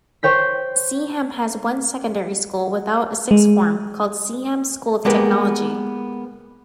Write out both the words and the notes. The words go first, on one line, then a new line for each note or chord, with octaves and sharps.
Seaham has one secondary school, without a sixth-form, called Seaham School of Technology.
C5 C#5 G5 B6
G#3
G#3 A#3 B3 G4 A#4 B4